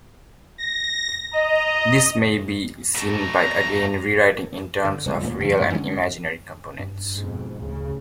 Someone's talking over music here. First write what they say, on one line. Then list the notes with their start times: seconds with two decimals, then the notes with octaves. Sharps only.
This may be seen by again rewriting in terms of real and imaginary components.
0.58 A#6
1.33 D#5 A#5
2.95 B2 A3 A#5
4.85 D3
5.05 E1 C2 G#3
5.23 D1 F2 A#2 A3
5.44 D3 F3
5.60 A1 F#2
5.72 D3 E3 G#3 C#4
6.79 G2
7.17 F2 G#2 B2
7.62 A1 D2 C#3